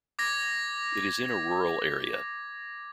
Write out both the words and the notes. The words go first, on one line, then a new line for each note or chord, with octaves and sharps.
It is in a rural area.
D6 G#6 A#6